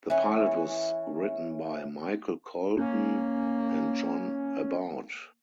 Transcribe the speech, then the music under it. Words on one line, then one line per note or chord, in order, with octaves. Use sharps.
The pilot was written by Michael Colton and John Aboud.
E3 C#4
A#3 C#4